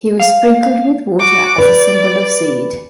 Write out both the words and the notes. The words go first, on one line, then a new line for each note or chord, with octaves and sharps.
He was sprinkled with water as a symbol of seed.
F5
F#4 D6
B4 D5